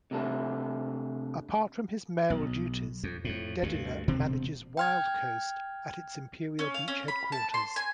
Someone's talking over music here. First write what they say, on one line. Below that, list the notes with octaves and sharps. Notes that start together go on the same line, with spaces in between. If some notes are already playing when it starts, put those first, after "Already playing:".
Apart from his mayoral duties, Dedina manages Wildcoast at it's Imperial Beach headquarters.
C3 A3 D4
B1
F2
F2 A2
D2 G2
E1 C3 C4
G5 F6 G#6
C#4
F5
C#4
B5
A5
C6
G#5